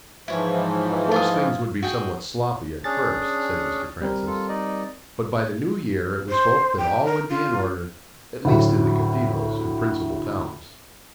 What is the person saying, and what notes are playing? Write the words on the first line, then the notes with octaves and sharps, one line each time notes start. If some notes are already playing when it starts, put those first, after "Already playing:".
Of course things would be somewhat sloppy at first, said Mr. Francis; but by the New Year it was hoped that all would be in order, at least in the cathedrals and principal towns.
G#2 E3 F3 E4 C#5
F4 G#5 D#6
F#4 G#4 G5
C#4 D4 G#4 A6
G3 C4 A#4
F4 A4
D#4 D5 D#5
C5
G5
A#4
F4
D2 A2 F#3